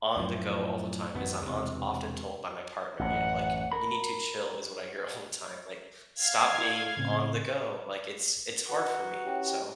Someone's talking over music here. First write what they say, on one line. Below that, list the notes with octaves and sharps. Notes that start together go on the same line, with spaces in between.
on the go all the time. As I'm on often told by my partner, you n like, "you need to chill," is what I hear all the time, like, "stop being on the go," like, it's it's hard for me. So,
F#2 A2 F3
A1 F#2 D#3 B3
E1 E2 C3
A1 F#2 F#5
A#4 B5
F5 G#6
E4 D5
A2 C#3 C4
B3 D#4 F#4
C#4 E4 G4